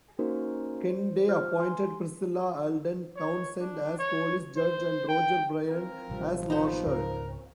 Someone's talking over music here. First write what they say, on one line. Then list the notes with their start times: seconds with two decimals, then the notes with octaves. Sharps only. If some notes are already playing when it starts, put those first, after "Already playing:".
Ken Day appointed Priscilla Alden Townsend as Police Judge and Roger Bryan as Marshall.
0.19 A#3 C#4 D#4 F#4 A#4 C5
0.89 C5
1.28 F4 C5 F6
1.59 G#5 C6
3.16 C#5
3.60 D4
3.99 C#5
4.57 C5
5.09 G5
5.68 C4 F4 A#4
6.10 A1 C3 F3 G3
6.50 G2 B2 B3 D#4 C5
6.86 C#2 G#2 C#3 A#4